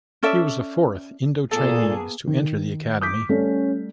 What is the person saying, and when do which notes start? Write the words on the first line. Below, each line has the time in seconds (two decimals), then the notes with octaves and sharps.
He was the fourth Indochinese to enter the academy.
0.23 C#4 A4 D5 E5
1.51 A#2 A#3 B3 G#4 A4
2.27 D#3
3.01 D6 D#6 G6 B6
3.29 G3 A3 C#4 A4